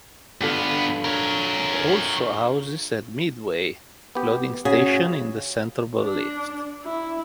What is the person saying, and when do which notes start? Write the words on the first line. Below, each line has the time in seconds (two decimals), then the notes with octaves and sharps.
It also houses a "midway" loading station in the center of the lift.
0.41 G2 B3 D4 F4 A4
1.05 A#4 C#5
4.15 B3 G4
4.65 C#3 F#4 G#4
6.02 D4
6.83 E4